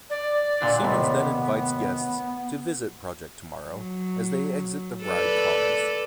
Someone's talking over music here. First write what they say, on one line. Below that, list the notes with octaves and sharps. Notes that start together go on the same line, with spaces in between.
Siemens then invites guests to visit Project Tomorrow as they exit the ride cars.
D5
A#2 D3 D4
D#2 A2 C3 B3
F#3
A4 B4 D5